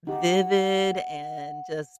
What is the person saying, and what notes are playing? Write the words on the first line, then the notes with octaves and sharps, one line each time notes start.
vivid and just
D#4 G4 F#5